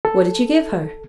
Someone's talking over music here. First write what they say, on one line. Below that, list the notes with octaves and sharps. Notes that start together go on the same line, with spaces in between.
'What did you give her?'
A4